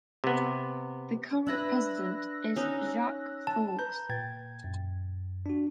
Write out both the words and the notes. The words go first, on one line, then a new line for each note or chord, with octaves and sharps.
The current president is Jacques Forgues.
C3 B3
D4 E4 B4 E6 F#6 A#6
C#4 D#4
A5
B4 A#5 G6
A#2 G5 G#6 A6
F#2
D4 F#4